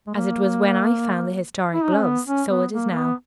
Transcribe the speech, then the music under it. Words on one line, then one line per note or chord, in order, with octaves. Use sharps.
As it was when I found the historic gloves, so it is now.
G#3
A#3
E4
D#4
C#4
B3
C#4
B3
A#3
A#3
B3